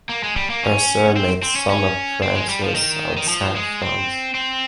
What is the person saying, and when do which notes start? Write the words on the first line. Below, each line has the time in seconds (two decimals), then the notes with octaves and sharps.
Brasseur made some appearances outside France.
0.09 A#3
0.24 G#3
0.36 G3
0.50 A#3
0.64 C#4
1.16 C4
1.43 C4
1.56 C#4
1.70 C#4
2.22 C4
2.35 G#3
2.49 G3
2.62 F3
2.75 D#3
3.17 D#3
3.28 F3
3.55 G#3
3.82 C4
4.34 C4